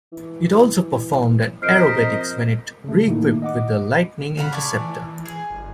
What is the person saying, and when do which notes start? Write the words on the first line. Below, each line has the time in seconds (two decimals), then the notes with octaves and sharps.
It also performed aerobatics when it re-equipped with the Lightning interceptor.
0.12 E3
1.62 F2 A#4 C5 D#5 F6 C7 D7
1.80 A#5 B6
2.84 C#3 A3
3.07 A2 D#3 A3 A#3 D#4 E4
3.42 D#5 F#5 D6
4.37 C#3 F5 F#5 B5
4.52 A3 D5 G#5
4.71 E3
5.26 G#4
5.50 G1